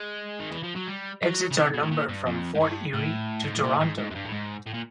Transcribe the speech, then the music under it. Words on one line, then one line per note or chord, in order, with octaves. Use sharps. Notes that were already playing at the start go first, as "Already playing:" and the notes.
Exits are numbered from Fort Erie to Toronto.
Already playing: G#3
D#3
E3
F3
F#3
G3
F#3
C#3
C3
B2
A2
A#2
G2
F2
G#2
G2
A2
G#2
A2
A#2
G#2
G#2
F#2
G2
A2
G#2
A2
A#2